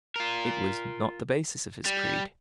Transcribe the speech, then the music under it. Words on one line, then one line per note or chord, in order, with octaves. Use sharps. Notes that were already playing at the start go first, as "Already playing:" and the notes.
It was not the basis of his creed.
F4 A#4
G3